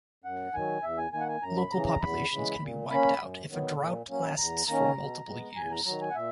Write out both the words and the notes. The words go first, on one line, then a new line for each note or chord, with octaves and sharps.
Local populations can be wiped out if a drought lasts for multiple years.
F#2 F#5
D#3 F#3 G#5
E2 E5
G#5
D#3 A#3 G#5
F#5
G#5
F#2 A#5
B5
C#3 E3 A#5
A#5
E2 B5
C#3 E3 G#3
A#2
A#3 C#4 B5
F#2
D#3 F#3 B3
A#2
F#3 A#3 C#4
E2 A#5
D#3 A#3 C#4 A#5
B2
G#3 B3
E2 G#5
A#5
D#3 F#3 A#5
G#5
F#5
A#2 E5